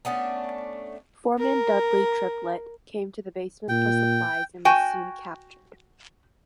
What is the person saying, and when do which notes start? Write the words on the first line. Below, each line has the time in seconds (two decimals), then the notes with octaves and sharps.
Foreman Dudley Triplett came to the basement for supplies and was soon captured.
0.05 A3 B3 C#4 D4
1.39 A#4
3.69 A#2 G5
4.65 F#4 G5 G#5